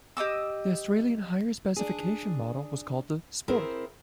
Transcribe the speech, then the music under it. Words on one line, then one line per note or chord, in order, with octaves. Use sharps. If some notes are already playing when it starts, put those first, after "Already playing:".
The Australian higher specification model was called the "Sport".
G4 D#5 D6 E6
D4 G#4
C4 E4 G#4 A#4 C5